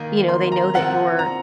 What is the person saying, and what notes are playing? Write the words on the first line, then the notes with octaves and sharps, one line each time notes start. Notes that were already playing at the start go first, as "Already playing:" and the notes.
you know, they know that you're,
Already playing: D#3 A#3 D#4
C6
A#5
C3 F3 C4 F4 A#4 F#5
A#5